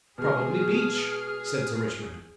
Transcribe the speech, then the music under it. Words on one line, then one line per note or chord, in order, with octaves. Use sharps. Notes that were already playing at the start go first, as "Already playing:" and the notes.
"Probably beech," said Sir Richmond.
B2 G#3 G#4 F6